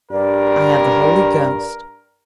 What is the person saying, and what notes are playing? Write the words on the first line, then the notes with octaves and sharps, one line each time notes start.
I have the Holy Ghost.
G2 A#4 D5